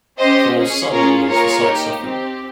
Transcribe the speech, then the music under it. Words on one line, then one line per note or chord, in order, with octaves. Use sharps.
For some years, the site suffered.
C#4 G4 C5 D#5
C#4 G#4
C#4 F4 G#4 A#4 C#5
A#3 F4 G#4 A#4 C#5
A#3 D#4 G4
C4 G4